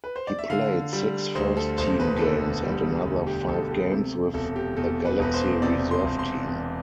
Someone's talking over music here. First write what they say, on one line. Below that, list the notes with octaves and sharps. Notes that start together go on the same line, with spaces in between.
He played six first-team games and another five games with the Galaxy reserve team.
B4
C5
D5
E5
D3 F5
G3
D2 C5
A4
E1 C5
B4
A4
D3 B4
G3
D2
G4
E1 A4
G4
C3 A4
E1 A4
G4
E2 A4
B4
E1 B4
C5
C3 D5
C6
E1
C6
E2